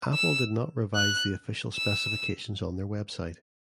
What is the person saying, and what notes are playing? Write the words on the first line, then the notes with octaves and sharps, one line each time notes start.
Apple did not revise the official specifications on their web site.
E6
F#6
E6